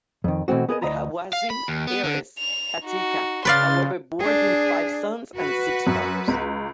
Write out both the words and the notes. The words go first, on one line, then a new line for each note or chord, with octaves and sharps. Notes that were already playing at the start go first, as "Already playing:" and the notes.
The Hawazin heiress Atikah, however, bore him five sons and six daughters.
F2 D#3
B2 E3 A3 C4 F#4
B3 G#4 A#4 D#5
D2 D#5 E5 A#5 B5
F5
B5
D#2
B3
D3
F7
D#4 F#4
C#3 B4 D5 F5 C6 A6
D4 G#4
F#4 B4
F#2
C#2